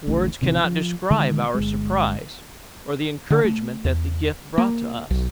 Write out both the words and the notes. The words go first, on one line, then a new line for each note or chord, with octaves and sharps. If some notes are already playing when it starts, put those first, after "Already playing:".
Words cannot describe our surprise, or the encouragement that the gift brought to us.
D1 A1 A2 C#3
D1 C3 D#3 E3
F3
D3 D#3 G#3
G1 G#3
D3
A3
E2
A#3
B1